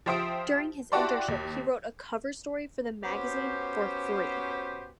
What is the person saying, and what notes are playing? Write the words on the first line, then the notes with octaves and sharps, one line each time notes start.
During his internship he wrote a cover story for the magazine for free.
F3 G4 C5 E5 D#6 D7
E4 F#4 G4 D5 A5 C6
D#2
B3 C#4 F#4 G4 C5